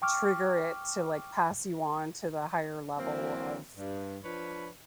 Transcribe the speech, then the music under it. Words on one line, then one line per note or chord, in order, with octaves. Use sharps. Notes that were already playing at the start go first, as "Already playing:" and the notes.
trigger it to, like, pass you on to the higher level of,
G5 C#6 D6 F6
E3 F#3 A#3 C4
G2
F3 D4 B4 C#5 B5